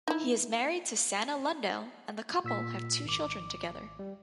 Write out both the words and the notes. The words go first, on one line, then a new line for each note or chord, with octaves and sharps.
He is married to Sanna Lundell and the couple have two children together.
D#4 E4
A#2 E6 B6
G#1 D6
G3